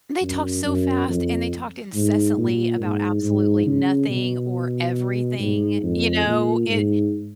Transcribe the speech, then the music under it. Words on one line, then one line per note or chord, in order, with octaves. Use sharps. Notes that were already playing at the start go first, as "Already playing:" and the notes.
They talked so fast, and they talked incessantly about absolutely nothing or everything, you know? It
F#2
F#2
F2
G#2
A#2
G#2
G#2
C#3
B2
G#2
F2
A#2
G#2